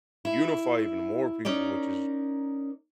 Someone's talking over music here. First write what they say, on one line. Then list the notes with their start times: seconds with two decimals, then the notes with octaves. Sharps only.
unify even more people, which is
0.25 E4
1.45 C#4 D#4 A#4 D5